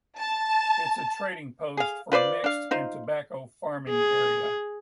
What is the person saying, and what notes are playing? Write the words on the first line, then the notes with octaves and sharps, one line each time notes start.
It is a trading post for mixed and tobacco farming area.
A5
G#4 F5
F4 B4 C5 D5
D4 F5
D#4 F4 C5
G#4